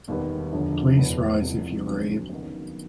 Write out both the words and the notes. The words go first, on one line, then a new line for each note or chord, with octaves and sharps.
Please rise if you are able.
E1 D#2 D#3 G3 B3
E1 D2 D3 F3
E1 E2 B2 G3 B3
C2 C3 F3
D2 D3 F#3 B3 D4
D#2 C#3 F#3 B3 D#4